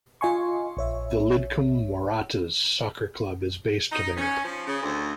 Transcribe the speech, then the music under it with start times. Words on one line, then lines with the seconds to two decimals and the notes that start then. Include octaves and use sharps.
The Lidcombe Waratahs soccer club is based there.
0.21 F4 D#5 F5 G#5 C6 C#6
0.77 A#1 C#5 E5
3.92 D#4
4.18 C#4
4.44 F3
4.66 C#3
4.82 D2